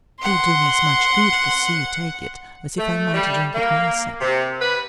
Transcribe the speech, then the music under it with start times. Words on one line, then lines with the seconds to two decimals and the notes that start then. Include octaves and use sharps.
It will do me as much good to see you take it as if I might drink it myself.'
0.22 F#5 C6
2.77 A3
3.13 G3
3.54 A#3
4.21 C3
4.60 B4